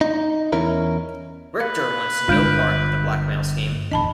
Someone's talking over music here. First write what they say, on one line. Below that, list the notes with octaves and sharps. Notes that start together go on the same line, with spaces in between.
Richter wants no part of the blackmail scheme.
D#4
E2 C#4 E4 A#4
B4 F5
G1 G#3 D4 F4 G6 D7
D#1 E2 D4 D#5 A5 B5